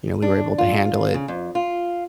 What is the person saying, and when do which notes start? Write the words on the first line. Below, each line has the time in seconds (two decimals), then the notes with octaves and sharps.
You know, we were able to handle it,
0.22 D4
0.58 F4
1.14 C#3
1.28 F2
1.55 F4